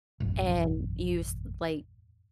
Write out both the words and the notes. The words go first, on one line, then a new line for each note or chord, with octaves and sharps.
and you s like,
E1 A1 F#2